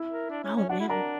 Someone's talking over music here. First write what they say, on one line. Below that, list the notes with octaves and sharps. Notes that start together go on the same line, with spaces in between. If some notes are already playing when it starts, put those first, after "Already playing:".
Oh, man.
Already playing: E4 E5
A#4
D4
C#4
C#4
D4 F#4 F#5
E4
D4 A#4 A#5